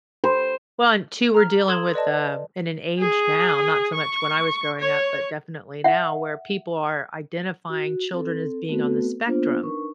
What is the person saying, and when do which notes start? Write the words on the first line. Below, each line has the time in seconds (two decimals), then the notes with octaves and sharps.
Well, and two, we're dealing with uh in an age now, not so much when I was growing up, but definitely now where people are identifying children as being on the spectrum.
0.24 C5
1.34 A#5 F6
1.68 A4 C6 D#6 G#6 E7 F#7
1.94 B4 D5 D#5 A5
2.99 G#4
3.94 C#6
4.80 C#5
5.84 E5 F#5
7.70 F#4
8.12 C4 A4
8.69 A3 B3 C4 F#4 A4 B4
9.26 A#3 B3 D4 F4 C5
9.63 D4 D#4 A#4 B4 C#6